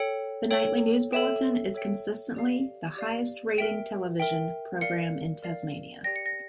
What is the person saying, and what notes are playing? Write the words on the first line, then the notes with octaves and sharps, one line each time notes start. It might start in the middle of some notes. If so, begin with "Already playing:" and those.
The nightly news bulletin is consistently the highest rating television program in Tasmania.
Already playing: A4 C#5 G5 C#7
A4 C#5 G5
A4 C#5 E5 G5 E7
A4 C#5 E5 G5
G4 D5 F5
G4 D5 F5
A#4 E5 G5 D7
A#4 E5 G5
A#4 D5 F5 C#7
A#4 D5 F5
G4 D5 G5 A#6
C#7
A#6